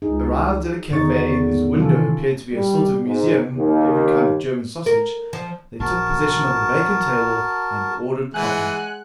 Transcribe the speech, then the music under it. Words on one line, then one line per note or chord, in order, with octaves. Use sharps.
Arrived at a cafe whose window appeared to be a sort of museum of every kind of German sausage, they took possession of a vacant table and ordered coffee.
C#2 D#4 G#4
E2 B2 D3 D#3 D#4 C#6 A6
C3 D#3 E3 C#4 F4 A4
G3
G#2
D#2
A#4
F3
A#1 F#4 A#4 A5
E3 G#3 F#5 G#5 F#6